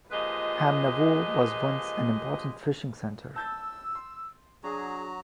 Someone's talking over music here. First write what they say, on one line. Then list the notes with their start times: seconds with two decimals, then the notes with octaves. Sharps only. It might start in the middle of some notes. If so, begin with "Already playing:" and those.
Hamnavoe was once an important fishing centre.
0.12 A#2 F3 G#3 G4 B4 D#5
3.36 A5 E6 G6 A6
3.95 C6
4.64 F#3 D4 F#4 G#4 A#5